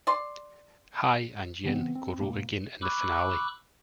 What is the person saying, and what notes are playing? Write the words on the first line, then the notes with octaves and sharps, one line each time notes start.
Hei and Yin go rogue again in the finale.
D5 C6
C#3 E3 B3 C4
C4
G#2 B2 A#3
B5 C#6 D6 E6 F#6